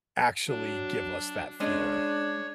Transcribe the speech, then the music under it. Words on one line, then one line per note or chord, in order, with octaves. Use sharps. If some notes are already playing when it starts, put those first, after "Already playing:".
actually give us that feeling.
F#3 D4
G#3 C#4 D4 C#5 D#5